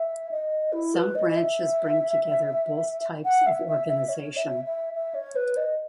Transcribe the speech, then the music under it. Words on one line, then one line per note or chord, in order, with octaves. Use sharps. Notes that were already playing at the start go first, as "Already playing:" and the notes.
Some branches bring together both types of organisation.
Already playing: E5
D#5
E4
B4
D#5
D#5
E5
F#5
E5
E5
E5
C#5
E5
E5
E5
C#5
B4
D#5